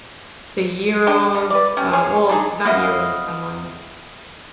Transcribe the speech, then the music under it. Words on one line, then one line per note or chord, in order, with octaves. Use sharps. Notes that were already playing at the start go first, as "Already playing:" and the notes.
the gyros, um well, not gyros- I'm lying-
D4 G5
D3
B4 D5
C#4 G4
G#4 C#5
D4 D#4 G#4
E4 D#5 F5 F#5